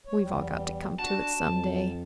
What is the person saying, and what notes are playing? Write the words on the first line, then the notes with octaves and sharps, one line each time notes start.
We've all got to come to it some day.
C#5
E2 G3
D4 F#4 F#5 A5
F2